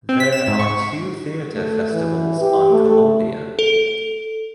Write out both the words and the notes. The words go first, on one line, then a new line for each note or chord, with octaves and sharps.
There are two theatre festivals on Columbia.
C4
B6
E7
G#2
C#6
A3
E3
G4
A3
A4